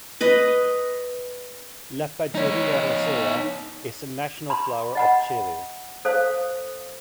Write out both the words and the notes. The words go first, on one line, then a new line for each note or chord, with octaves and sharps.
"Lapageria rosea" is the national flower of Chile.
B4 D#5
D#4 C#5
B5 C6
D#5 F#5 B5
A4 C5 F5